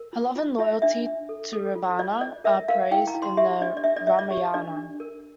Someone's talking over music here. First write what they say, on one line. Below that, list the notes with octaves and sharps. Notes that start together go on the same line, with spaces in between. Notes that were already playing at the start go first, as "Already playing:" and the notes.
Her love and loyalty to Ravana are praised in the "Ramayana".
Already playing: A#4
F4
F4
F4 E5
D4 E5
D4
A4
A4
F4
F4 D5
C5 D5
A#4 E5
A#4 F5
E4 G5
A#5
E4
C6
G4 E5
D4 D5
D5
D4 E5
D5
C5 E5
D5
G4
D4 D5
D4
A#4